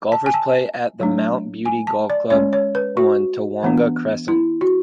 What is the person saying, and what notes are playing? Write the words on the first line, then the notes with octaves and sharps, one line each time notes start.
Golfers play at the Mount Beauty Golf Club on Tawonga Crescent.
A5
G#5
A5
F#3 A3 D4
G#5
A5
D5
G#3 C#4 C#5
C#5
B4
F#4
E3 B3 D4
E4
F#4